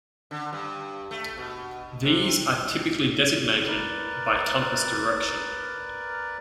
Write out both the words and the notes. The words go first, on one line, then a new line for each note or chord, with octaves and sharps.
These are typically designated by compass direction.
D3
G2
A3
B2
C3
A#4 B4 D5